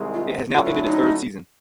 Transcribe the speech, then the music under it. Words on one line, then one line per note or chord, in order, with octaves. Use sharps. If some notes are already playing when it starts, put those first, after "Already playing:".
It has now ended its third season.
Already playing: C2 C3 D#3 G#3
F4
D3 F#3 A3 C#4 E4 F#4
F4
D4
D#4